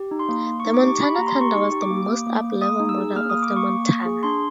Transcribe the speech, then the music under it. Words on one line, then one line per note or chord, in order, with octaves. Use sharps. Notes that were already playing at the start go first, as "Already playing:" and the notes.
The Montana Thunder was the most up-level model of the Montana.
Already playing: G4
D#4
C6
A#3
A#3
C#6
D#4
D6
G4 C#6
G4 B5
A#3 A#5
C6
G4 C#6
D#4 C#6
G4
D6
A#3
A#3
A#3
A#3
A#3 D#6
D#4
E6
G#4
A#3 F6
A#3 D#6
D6
A#3 C#6
A#3
A#3
G#4
D4 C6